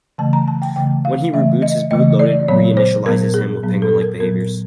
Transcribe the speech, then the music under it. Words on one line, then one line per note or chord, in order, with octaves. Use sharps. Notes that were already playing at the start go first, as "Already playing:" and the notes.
When he reboots, his boot loader reinitializes him with penguin-like behaviors.
C#3 E3 A3 A5
A#5
A5
G5
C#3 E3 A3 G5
F5
C#3 E3 A3 E5
D#5
C#3 E3 A3 D#5
D5
A#2 F#3 B3 C#5
C5
A#2 F#3 B3 A#4
G#4
A#2 F#3 B3
A4
A#4
A#2 F#3 B3 A#4